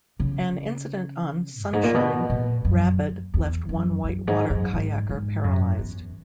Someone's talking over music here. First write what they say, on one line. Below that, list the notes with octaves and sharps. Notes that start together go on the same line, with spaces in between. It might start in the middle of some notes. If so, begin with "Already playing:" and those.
An incident on "Sunshine" rapid left one whitewater kayaker paralyzed.
C#3
F#2
G#2
A#2
B2
A#2
F#2
E2
F#2
F#2
G#2
F#2
G#2
G#2
F#2
E2